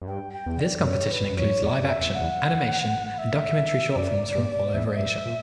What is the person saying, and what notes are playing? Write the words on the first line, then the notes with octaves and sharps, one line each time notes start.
This competition includes live action, animation and documentary short films from all over Asia.
F#2
G2 G5
G5
E2
D5
G2
F#2 C#5
B4
G2
F#2
E2 C#5
F#2
E2 D5
F#2
E5
E2
F#5
E2
E5
F#2 D5
G2
E2 E5
D5
F#2 E5
A#2